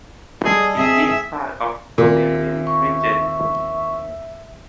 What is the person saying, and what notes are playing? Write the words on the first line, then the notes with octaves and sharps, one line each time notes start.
It is part of the Gauldalen region.
G3 G#4 A4 D#5
C4 G#4 E5
D#2 A#2 C4 E5
C#6